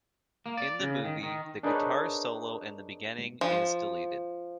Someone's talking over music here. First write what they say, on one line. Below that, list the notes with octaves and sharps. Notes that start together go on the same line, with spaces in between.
In the movie, the guitar solo in the beginning is deleted.
A#3
D5
C#3
D#3
D#3
D4 D#4 G#4 A#4 B4 C#5
F3